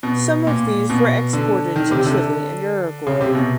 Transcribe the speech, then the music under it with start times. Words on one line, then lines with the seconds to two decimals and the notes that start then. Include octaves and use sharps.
Some of these were exported to Chile and Uruguay.
0.03 B2
0.47 A#2
0.90 B2
1.33 D3
1.76 D#3
1.91 C3
2.06 D3
3.07 C#3
3.21 C3
3.35 B2